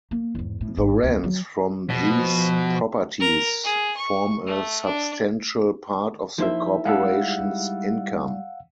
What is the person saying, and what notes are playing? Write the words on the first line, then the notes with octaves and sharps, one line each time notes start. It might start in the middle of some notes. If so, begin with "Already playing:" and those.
The rents from these properties form a substantial part of the corporation's income.
A#3
E2 G#2
A2
G#1
D2 C4
F#3
B2 F3
A#4
G#4
C#6
A3
D4
F3 A#3 D#4 E4 C5 E5
G3 G#3 F5 F#5 E6